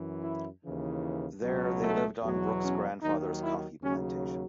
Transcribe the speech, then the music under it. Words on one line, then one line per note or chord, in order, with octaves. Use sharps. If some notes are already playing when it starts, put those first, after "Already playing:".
There, they lived on Brooks' grandfather's coffee plantation.
Already playing: F#2 E3
E4
D#2 C#3 E3
C#2 B2 F#3
A3
E2 B2 F#3
C#4
D#2 D#3 F#3 D#4
E4
D#2 C#3 F#3 C#4